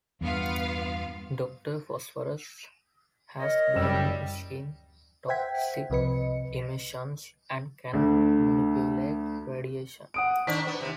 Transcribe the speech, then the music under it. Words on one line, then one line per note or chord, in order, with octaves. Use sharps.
Doctor Phosphorus has burning skin, toxic emissions, and can manipulate radiation.
E2 G2 B3 F4 F5
A#4 C#5 D#5
F#1 G3 E6 E7
C5 E5 F#5 G5 G#6 B6
C2 C3 F3 B4 D#5 C#7
D2 D3
F#5 D#6 D7
D#3 C4 D4 B6
B3
D#2 C3